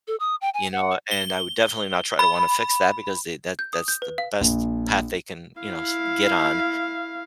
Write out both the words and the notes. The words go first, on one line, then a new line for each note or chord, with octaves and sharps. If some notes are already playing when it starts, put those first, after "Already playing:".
you know, and I would definitely not try to wanna fix that because they that that's the best path they can, you know, s get on.
A4
D#6
G5
G#5
F#5
G7
B5
G6
D#6
G6
B4
F5
A#1
E4 F5